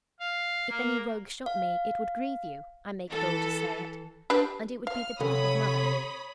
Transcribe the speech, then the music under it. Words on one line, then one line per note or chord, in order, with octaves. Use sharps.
If any rogue shot me it would grieve you; I make bold to say it, and it would be the death of mother.
F5
A#3
F5
E3 A4
D4 G4 B4
F5 F6
C3 A4 C#5 B5 D#6